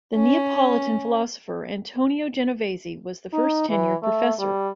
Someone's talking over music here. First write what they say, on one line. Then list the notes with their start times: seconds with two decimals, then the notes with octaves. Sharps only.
The Neapolitan philosopher Antonio Genovesi was the first tenured professor.
0.16 C#4
3.33 D#4
3.69 E3
4.03 A3
4.39 G3